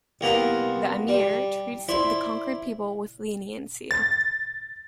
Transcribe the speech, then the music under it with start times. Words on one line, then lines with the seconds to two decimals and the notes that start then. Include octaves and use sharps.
The "amir" treats the conquered people with leniency.
0.21 C2 A#3 B3 A#4
1.08 G3
1.88 E4 C5 D5
3.91 A6